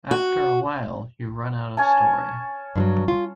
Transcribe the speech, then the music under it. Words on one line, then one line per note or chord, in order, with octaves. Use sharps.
After a while, you run out of story.
F#4
C#4 G#5 A5
G2 F3 F#3
F4